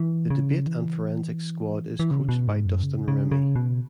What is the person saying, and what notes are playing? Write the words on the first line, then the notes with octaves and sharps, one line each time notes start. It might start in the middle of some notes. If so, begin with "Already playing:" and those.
The Debate and Forensics squad is coached by Dustin Rimmey.
Already playing: E3
C#3
E3
E3
C#3
B2
G#2
F#2
C#3
C#3
C#3
B2